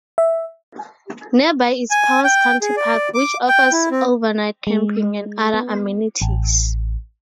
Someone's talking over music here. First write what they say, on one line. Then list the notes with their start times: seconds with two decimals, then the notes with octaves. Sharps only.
Nearby is Powers County Park, which offers overnight camping and other amenities.
0.18 E5
1.91 G#5
2.24 G5
2.61 G#4
2.77 D5
3.14 D6
3.48 G5
3.72 E4
3.91 C4
4.67 G#3
5.54 B3
6.22 A1